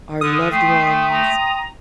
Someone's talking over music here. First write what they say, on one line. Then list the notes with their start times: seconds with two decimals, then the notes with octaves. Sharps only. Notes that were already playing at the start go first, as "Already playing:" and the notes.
our loved ones
0.21 D3 D#6 F6
0.51 A3 G5 C6 C7
1.10 A#5